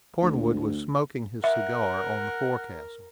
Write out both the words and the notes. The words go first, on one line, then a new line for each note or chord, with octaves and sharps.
Cornwood was smoking his cigar on the forecastle.
D2
A#4 E5 F#5